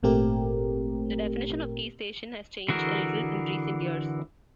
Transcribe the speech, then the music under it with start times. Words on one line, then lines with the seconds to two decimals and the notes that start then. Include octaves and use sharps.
The definition of key station has changed a little in recent years.
0.03 G#1 A#2 A3 C4 G4 A#4
2.68 D3 E3 F#4 G#4 A#4